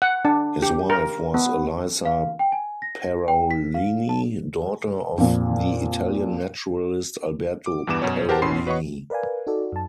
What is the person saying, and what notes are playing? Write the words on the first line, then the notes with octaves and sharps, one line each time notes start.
His wife was Elisa Parolini, daughter of the Italian naturalist Alberto Parolini.
F#5
D4
G4
A#4
B3
F5
G5
G#5
A#6
G5
B6
F5
A5
F2 A#2
D6
E2 G2 E3 B3 D6 E7
F#2 B2 C#5
G4 A#4 C5 F#5 A5
A1 B2 C#4 B5 C6 C7
F#4 B4 C#5 D#5 F#5 C#6
A#4 B4 D5 F5 G#5
D#4 F#4 A4 D5
F#2 A5